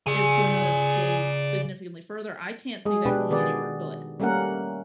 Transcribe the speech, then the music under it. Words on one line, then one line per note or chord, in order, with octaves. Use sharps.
is gonna go significantly further. I can't see that going anywhere good.
C#3 G#4 D5 G#5
G#3 G#4
B2 D4 G4 B4
D#3 B3 G#4 D5
G3 A3 A#3 C#4 A#4 F#5